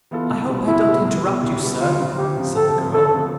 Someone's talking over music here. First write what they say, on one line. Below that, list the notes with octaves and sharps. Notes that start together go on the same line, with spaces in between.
"I hope I don't interrupt you, sir," said the girl.
E3 B3 F4 A4
C2
B2 G3 B3
C2 E4
B2 G3 B3
C2
B2 G3 B3
C2
B2 G3 B3
D2 F4
C3 F3 C4
D2 G4
C3 F3 C4
D2 A4
C3 F3 C4
D2 A4
C3 F3 C4